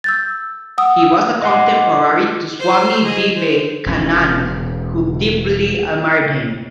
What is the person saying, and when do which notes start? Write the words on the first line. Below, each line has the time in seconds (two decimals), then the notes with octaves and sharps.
He was a contemporary to Swami Vivekanand, who deeply admired him.
0.04 E6 G6 A6
0.78 F#5 D#6 E6
1.42 D#5 F#5 C6 D6
2.59 C5 C6
3.04 G#4 D#5
3.36 C5
3.86 E1 C#4